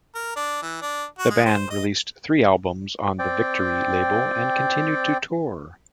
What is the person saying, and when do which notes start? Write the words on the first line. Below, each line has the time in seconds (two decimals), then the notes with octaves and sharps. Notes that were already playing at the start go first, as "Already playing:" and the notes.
The band released three albums on the Victory label and continued to tour.
0.15 A#4
0.36 D4
0.62 E3
0.82 D4
1.18 F#4
1.30 G#3
1.46 C5
1.71 D#5
3.19 C4 D5 G5